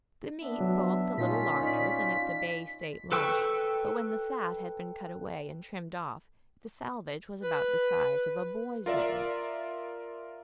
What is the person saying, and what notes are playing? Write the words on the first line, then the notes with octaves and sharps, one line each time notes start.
The meat bulked a little larger than at the Bay State Lunch, but when the fat had been cut away and trimmed off the salvage was about the size of a boy's mitten.
B3 D4 E5
F#3
A#2 C#4 D#4 F4 B6
D#4 D5
B6
A4 B4 G5 C#6 E6
B4
F4 A#4 D5 E5